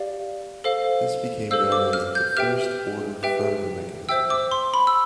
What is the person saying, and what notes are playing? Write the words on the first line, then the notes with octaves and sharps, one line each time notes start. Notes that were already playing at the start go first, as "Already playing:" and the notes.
This became known as the "First Order Fermi Mechanism".
Already playing: G4 D5 F5
A4 C5 F5
A4 C5 F5 E6
D6
F6
G6
G4 B4 E5 G5 F6
G4 B4 E5 G5
C5 E5 G5 E6
D6
C6
B5
E6